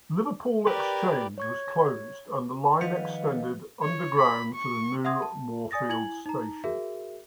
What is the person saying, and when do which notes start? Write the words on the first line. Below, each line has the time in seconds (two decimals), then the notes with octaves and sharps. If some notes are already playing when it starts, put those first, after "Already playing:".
Liverpool Exchange was closed and the line extended underground to the new Moorfields station.
0.67 G4 A#4 B4 D5
1.38 C#5 C#6 G#6
2.81 D#3 F3 G3 B4 D#5 F5 F#5
3.82 C#5
4.18 B5
4.55 C#6
5.05 E5 F#5 C6 D#6 G#6
5.22 A5
5.71 D5 G#5 D#6 A6 A#6
5.89 E4 G#5 G#6 F#7
6.26 D#4 A#5
6.64 F#4 G#4 A#4 E5